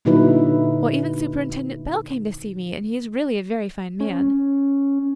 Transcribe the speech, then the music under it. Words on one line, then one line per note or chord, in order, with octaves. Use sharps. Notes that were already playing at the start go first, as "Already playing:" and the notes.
Why, even Superintendent Bell came to see me, and he's really a very fine man.
A#2 D3 F#3 D#4 E4 B4
C#4